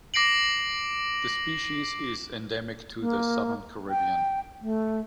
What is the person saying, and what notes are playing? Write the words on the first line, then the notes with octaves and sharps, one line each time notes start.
The species is endemic to the southern Caribbean.
D6 A#6 C7 D7 F#7
A#3
G5
A3